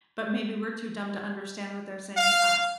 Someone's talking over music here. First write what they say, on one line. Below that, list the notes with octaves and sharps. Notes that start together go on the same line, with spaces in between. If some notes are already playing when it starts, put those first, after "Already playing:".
but maybe we're too dumb to understand what they're saying to us.
F5